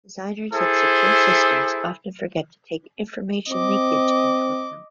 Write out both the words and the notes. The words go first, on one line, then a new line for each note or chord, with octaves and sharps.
Designers of secure systems often forget to take information leakage into account.
E4 G#4 A4 C5
C4 D#5 D6